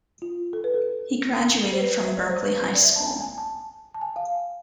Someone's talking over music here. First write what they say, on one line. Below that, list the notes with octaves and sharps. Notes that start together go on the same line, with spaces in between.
He graduated from Berkeley High School.
F4
A4
B4
A4
C5
B4
E5
D5
C5
B4
D5
E5
A5
G#5
G#5
A5
A5
G#5
F5